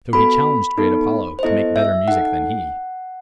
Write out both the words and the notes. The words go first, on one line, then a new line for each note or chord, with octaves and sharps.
So he challenged great Apollo to make better music than he.
B3 F#4 A4 B5
B3 D#4 A4
C5
B3 E4 A4 D#5
E5
D#4 A4 F#5